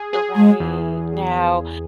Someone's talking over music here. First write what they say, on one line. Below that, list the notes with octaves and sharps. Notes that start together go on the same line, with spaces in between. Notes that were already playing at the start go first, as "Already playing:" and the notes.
The right. Now,
Already playing: G#4
G#4
G#3 G#4
E2